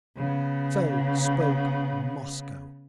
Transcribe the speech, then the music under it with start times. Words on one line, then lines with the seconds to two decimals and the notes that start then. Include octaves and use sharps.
So spoke Moscow....
0.17 C#3 B3